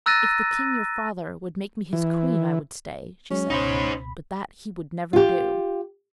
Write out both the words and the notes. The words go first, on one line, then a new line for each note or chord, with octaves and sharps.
'If the king, your father, would make me his queen I would stay,' she said; 'but that he would never do.'
A#5 E6 F#6 A6 A#6 D#7
E3
F#3 G#3 C#4
C#2 B2 D#4 C5 B5
F4 G4